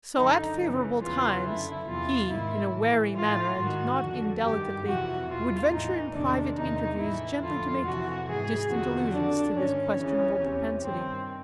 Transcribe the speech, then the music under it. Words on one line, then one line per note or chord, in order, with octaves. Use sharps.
So, at favorable times, he, in a wary manner, and not indelicately, would venture in private interviews gently to make distant allusions to this questionable propensity.
F#2 D3 D#4
F#2 C#3 E3
E2 C#3 E3 F4
F#2 D3 E4
E2 C3 E3 F4
G#2 D#3 E4
A2 E3
A2 E3 F4
G#2 D#3 F#4
F2 D3
G2 D#3 G4
F2 C3 E3 F#4
E2 B2 F4
A2 E3 D#4
E2 C3 D#3 D4
E2 C3 D#3 D#4
A2 E3 E4
F2 D3 F4
F2 C3 E3 F#4
G#2 E3 G#4
F2 C3 D#3 F#4
F2 D3 D4
G#2 D#3 C#4
F2 C#3 E3 C#4
E2 C3 E3
G2 D#3 C4